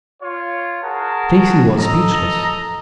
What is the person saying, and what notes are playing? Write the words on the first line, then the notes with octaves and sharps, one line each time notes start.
Stacy was speechless.
F4 C#5
F#4 G#4 A#4 A5
A4 D#5 A#5